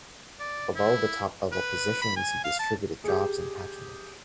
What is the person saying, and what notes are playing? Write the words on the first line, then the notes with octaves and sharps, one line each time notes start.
Below the top-level positions, he distributed jobs as patronage.
D5
E4
B4
B5
G#5
F5
A5
G4 G#4